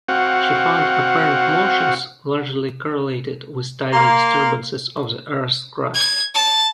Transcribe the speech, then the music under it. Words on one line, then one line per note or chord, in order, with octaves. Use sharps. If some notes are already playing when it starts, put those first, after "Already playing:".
She found apparent motions largely correlated with tidal disturbances of the earth's crust.
C4 F#4 F5 F#5
A#3 F5 C6
G#6
A5